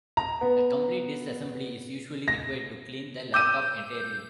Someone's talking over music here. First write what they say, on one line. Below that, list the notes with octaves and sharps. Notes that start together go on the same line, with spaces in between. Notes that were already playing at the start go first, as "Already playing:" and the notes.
A complete disassembly is usually required to clean the laptop entirely.
A#5
B3
A#6
D6 E6 G6 D#7